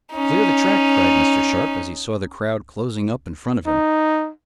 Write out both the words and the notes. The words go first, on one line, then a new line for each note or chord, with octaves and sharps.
"Clear the track!" cried Mr. Sharp, as he saw the crowd closing up in front of him.
C#4 D#4
D#4